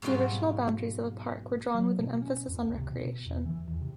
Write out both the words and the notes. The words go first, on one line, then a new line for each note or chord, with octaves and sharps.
The original boundaries of the park were drawn with an emphasis on recreation.
G#2 B2 F#3 G3 F4
F#3
B2
C#4
F2
C#2
C3
B2
E2
E3
E2
C3